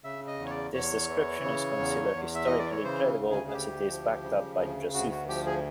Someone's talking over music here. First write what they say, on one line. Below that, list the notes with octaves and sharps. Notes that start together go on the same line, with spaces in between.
This description is considered historically credible as it is backed up by Josephus.
C#3 E5
D#5
E2
C#5
D5
E2 C#5
E3
C#3
E2
E2
E5
E3 D#5
D5
C#5
C#3 C5
D2
G#4
G#4
D2 G4
F3
C#3
D2
D2 F#4
F#4
F3 G4
G#4